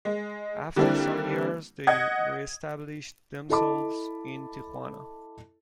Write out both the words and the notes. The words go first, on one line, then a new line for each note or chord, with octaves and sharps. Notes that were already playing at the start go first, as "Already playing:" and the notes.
After some years, they reestablished themselves in Tijuana.
G#3
D3 G3 A#3 C4 D4 E4
D#5 F#5 G#6
E4 A4 D#5 A5 B5 D6